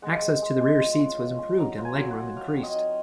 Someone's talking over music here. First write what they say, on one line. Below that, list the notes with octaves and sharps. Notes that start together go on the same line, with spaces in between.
Access to the rear seats was improved and leg-room increased.
G#3 F#5
G#3
G#3
G#3
F4
C#4
F4
C#4
F#3 A#5
F4
G#5
F#3
F#5
F#3
F#3 F5
C4
D#5
D#4